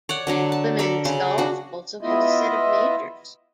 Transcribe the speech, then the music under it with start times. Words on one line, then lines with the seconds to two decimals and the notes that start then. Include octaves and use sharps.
Women's golf also has a set of majors.
0.09 C#5 D5 F#5
0.27 D3 F#3 D4
0.52 A5
0.79 A4 A#4 D5 B5
1.05 C#3 C6
1.38 D4 F#4
2.01 B3 E4 F4 D#5 E5